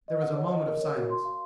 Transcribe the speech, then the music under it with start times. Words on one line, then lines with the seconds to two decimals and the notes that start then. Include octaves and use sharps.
There was a moment of silence.
0.08 D#5
0.22 F#5
0.36 C#5
0.52 D#5
0.66 A#4
0.81 C#5
0.96 F#4
1.10 C6
1.25 F5